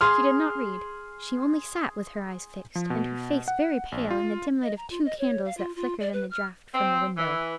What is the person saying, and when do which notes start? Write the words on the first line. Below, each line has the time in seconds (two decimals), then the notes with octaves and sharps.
She did not read; she only sat with her eyes fixed, and her face very pale, in the dim light of two candles that flickered in the draught from the window.
0.01 G#4 C6 F6
2.75 F3
2.90 B2
3.48 F#5
3.92 A#1
4.11 F4
4.63 D#5
4.77 A#5
4.90 F4
5.05 D#5
5.19 C#5
5.45 F5
5.57 F4
5.76 F4
6.00 D5
6.13 B4
6.31 F6
6.74 C4
7.16 E3